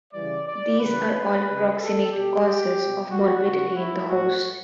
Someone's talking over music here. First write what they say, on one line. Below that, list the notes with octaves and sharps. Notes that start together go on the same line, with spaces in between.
These are all proximate causes of morbidity in the host.
C#3 E3 G3 D5
D5
C#3 E3 G3 B4
B4
C#3 F#3
A4
B2 G3 G4
B2 G3
F#4
C#3 F#3 F#4
E4
A2 G3 F#4